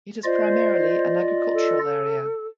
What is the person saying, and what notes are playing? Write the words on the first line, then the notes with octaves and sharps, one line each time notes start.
It is primarily an agricultural area.
F4 C5 D5 D#5
A4